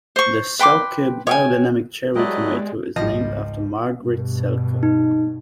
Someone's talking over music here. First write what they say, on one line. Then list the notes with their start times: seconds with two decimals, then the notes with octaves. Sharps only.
The Selke Biodynamic cherry tomato is named after Margrit Selke.
0.16 C5 C#6
0.59 B4 G5 C6 D6
1.27 C#5 G5 G#5
2.15 F#3 G#3 A3 E4 G4 B4 D5 D#5
2.96 G#1 C#2 F3 G3 D#5
4.00 G2 B2
4.83 D#4